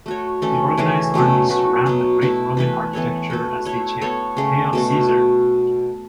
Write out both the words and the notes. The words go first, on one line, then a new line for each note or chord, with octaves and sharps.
The organized armies surround the great Roman architecture as they chant, Hail Caesar!
A3 F#4 C#5
E3 A3 C#4 A4
C#3 E3 C#4 E4
B2 F#3 A3 C#4
A3 F#4 B4
B2 F#3 B3
B2 A3 E4 B4
E3 A3 E4 B4
E3 B3 A4 C#5
A3 F#4 B4
A3 E4 C#5
B3 A4 C#5
C#3 A3 C#4
B2 A3 F#4